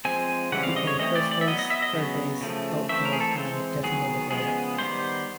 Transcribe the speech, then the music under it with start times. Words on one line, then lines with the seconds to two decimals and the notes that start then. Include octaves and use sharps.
He played first base, third base, outfield and designated hitter.
0.05 F3 G#3 C4 G#5
0.52 C#3 E3 G3 C4 F#5
0.63 F5
0.76 D#5
0.87 C#5
0.99 E3 A3 C4 D#5
1.15 D5
1.31 D5
1.41 E5
1.47 F#3 B3 D#5
1.59 D#5
1.70 E5
1.82 D#5
1.94 C#3 F#3 B3
2.41 C#3 F3 A3
2.89 E3 A3 C4 E5
3.05 A#4
3.13 G#4
3.20 A4
3.37 E3 G#3 C4
3.83 D#3 F#3 B3 G#4
4.31 C#3 F3 G#3 B3 G#4
4.79 D#3 G3 B3 C5